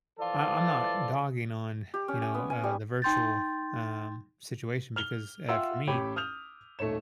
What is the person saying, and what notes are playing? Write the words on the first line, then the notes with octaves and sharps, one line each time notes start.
I I'm not dogging on, you know, uh, the virtual, um, situation because, eh, for me,
E3 F3 F4 A4 D5
G4
C#4
G#5
B3
G#5
G3
D#4 G5 C6 G6 A6
F6 F7 G7
F4 E5 F#5 G5 C6 E6
A1 G4 C#5 G5 B5 D6
D#6 F6 G6 F7
D#1 A3 D#4 C#5 E7